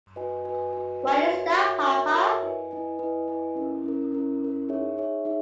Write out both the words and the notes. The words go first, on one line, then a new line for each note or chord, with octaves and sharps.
Why is that, Papa?
F#4 B4 D#5 G#5
F#4 B4 D#5 G#5
F#4 B4 D#5 G#5
F#4 B4 D#5 G#5
F#4 A#4 C#5 E5
F#4 A#4 C#5 E5
F#4 A#4 C#5 E5
F#4 A#4 C#5 E5
E4 B4 D#5 G#5
E4 B4 D#5 G#5
E4 B4 D#5 G#5
E4 B4 D#5 G#5
C#4 E4 A#4
C#4 E4 A#4
C#4 E4 A#4
C#4 E4 A#4
D#4 G#4 C#5 E5
D#4 G#4 C#5 E5
D#4 G#4 C#5 E5